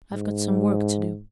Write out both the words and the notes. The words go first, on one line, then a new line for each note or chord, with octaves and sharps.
I've got some work to do.
G#2